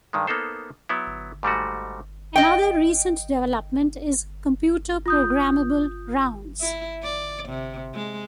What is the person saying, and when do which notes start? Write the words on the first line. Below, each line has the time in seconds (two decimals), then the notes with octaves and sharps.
Another recent development is computer programmable rounds.
0.13 G2 D#3 G#3
0.27 A#3 B3 D#4 A4 C5
0.89 F#3 B3 E4
1.43 G#2 G3 A3 F#4
2.36 D#5 G5
5.06 F4 D#6 G6
6.61 E4
7.03 D5
7.49 C3
7.95 G#3